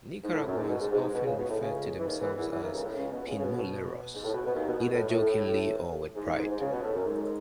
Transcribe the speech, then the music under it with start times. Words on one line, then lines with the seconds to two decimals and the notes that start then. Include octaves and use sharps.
Nicaraguans often refer to themselves as "Pinoleros", either jokingly or with pride.
0.24 G#2
0.34 A2
0.46 F#2
0.57 G#2
0.69 B2
0.80 G#2
0.92 G#2
1.03 G#2
1.15 B2
1.25 C#2 C#3
1.37 B2
1.49 A2
1.60 C#2 C#3
1.98 E3
2.06 D#2 D#3
2.21 E2 E3
2.36 E2 E3
2.51 E2 E3
2.62 D#2 D#3
2.74 C#2 C#3
2.85 A2
2.96 C#2 C#3
3.12 B2
3.27 C#2 C#3
3.38 C#3
3.43 B2
4.14 G#2
4.23 A2
4.33 B2
4.44 B2
4.55 D#2 D#3
4.67 B2
4.78 B2
4.93 A2
5.09 A2
6.15 G#2
6.27 G#2
6.38 G#2
6.50 G#2
6.60 C#2 C#3
6.72 B2
6.83 A2
6.95 F#2
7.06 G#2